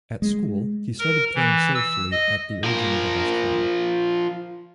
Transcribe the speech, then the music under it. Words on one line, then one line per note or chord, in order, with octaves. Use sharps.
At school, he started playing socially at the urging of a best friend.
G#3
A#4
E3
E6
D#5
F3 A#4